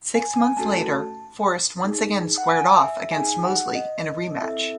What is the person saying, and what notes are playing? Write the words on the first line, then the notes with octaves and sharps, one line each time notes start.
Six months later, Forrest once again squared off against Mosley in a rematch.
G#5
G#5
A3 C#4 F#4 A4 A5
D#4 G#4
F#5
G#5
E5
D#4 G#4 G#5
F#5
D#5
C4 E4 A4 E5